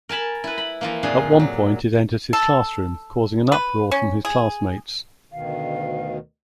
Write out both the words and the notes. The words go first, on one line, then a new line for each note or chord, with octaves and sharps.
At one point it enters his classroom, causing an uproar from his classmates.
A#4 G#5 A5 B5
E4 B4
B5
E3 F3 A#3
F2 A#2 D4 G#4
F#3
A4
B4
C#4
G#4
D2 B2 D#3 F5